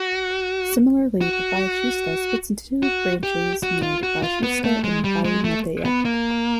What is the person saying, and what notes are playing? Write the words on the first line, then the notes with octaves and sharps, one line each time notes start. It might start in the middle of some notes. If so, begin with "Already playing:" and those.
Similarly the Vasishta splits into two branches named Vasishta and Vainateya.
Already playing: F#4
F#4
F#4
G4
F#4
F4
F#4
F4
B3
A3
G#3
G3
G#3
A3
B3
A#3